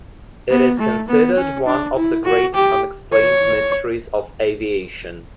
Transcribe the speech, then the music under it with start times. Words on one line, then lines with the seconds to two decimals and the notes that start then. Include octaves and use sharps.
It is considered one of the great unexplained mysteries of aviation.
0.51 B3
0.79 A3
1.08 B3
1.37 C#4
1.67 D4
1.96 E4
2.25 F#4
2.54 G4
3.13 C#5